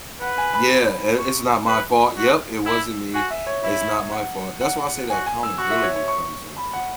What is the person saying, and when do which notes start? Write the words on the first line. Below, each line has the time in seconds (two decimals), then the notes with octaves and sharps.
Yeah, "I it's not my fault Yep, it wasn't me, it's not my fault." That's why I say that accountability comes into play.
0.21 B4 F#5
0.38 G#5
0.54 B5
1.18 C#6
1.67 B4
2.17 F#4
2.66 E4 E6
3.14 F#4 G#5
3.30 E5
3.47 C#5
3.64 E4 E5
4.12 F#5
4.61 F#5
5.10 F#4 G#5
5.26 G#5
5.43 E6
5.58 F#4 C#6
5.70 E5
5.83 C#5
5.96 C#5
6.08 C#6
6.57 B5
6.73 F#5